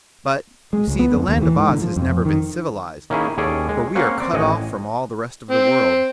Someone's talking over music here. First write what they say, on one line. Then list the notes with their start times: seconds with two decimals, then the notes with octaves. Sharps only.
But, you see, the Land of Oz has never been civilized, for we are cut off from all the rest of the world.
0.73 G#3
0.88 C#2
0.99 B3
1.14 F2
1.28 D#2
1.42 E3
1.56 G#2
1.69 D3
1.82 F3
1.96 F2
2.25 D#3
3.10 D#3 A#3 C#4 E4 G#4
3.38 D#2 C#4 G#4 A4 D5
3.69 G#3
3.95 A#3 C4 C#4 F5 F#5
4.20 C4 D5
4.33 A1 D#5 F#5 G#5
5.51 C4